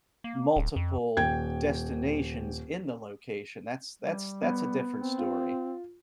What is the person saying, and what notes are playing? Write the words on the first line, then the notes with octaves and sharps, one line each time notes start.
multiple destinations in the location, that's that's that's a different story.
A#3
D1
F2
D#1 G5 G#6
G3
B3
C4
F4